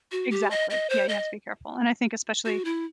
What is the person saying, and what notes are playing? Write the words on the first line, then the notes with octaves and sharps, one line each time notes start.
exactly, yeah, you have to be careful, and I think especially
F#4
G4
D#5
D#5
C5
D#5
F#4
E4